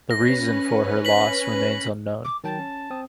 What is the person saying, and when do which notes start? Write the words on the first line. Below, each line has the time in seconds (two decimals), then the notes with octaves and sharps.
The reason for her loss remains unknown.
0.11 C#4 B4 A#6
1.05 B6 F#7
2.24 D6
2.44 D#3 F#3 G5 A5
2.59 C#4
2.90 C4 D#6